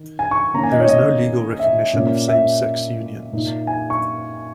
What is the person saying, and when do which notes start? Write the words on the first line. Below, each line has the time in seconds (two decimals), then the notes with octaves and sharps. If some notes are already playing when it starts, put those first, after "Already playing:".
There is no legal recognition of same-sex unions.
Already playing: D#3 D#4
0.19 G#5
0.31 C#6
0.54 D#3 A#3 C#4 A#5
0.63 G#5
0.72 D#5
0.81 C#5
0.89 D#5
1.59 E5
1.93 A#2 A#3 C#4
2.28 E5
3.32 A#2 A#3 D#4
3.67 G#5
3.90 C#6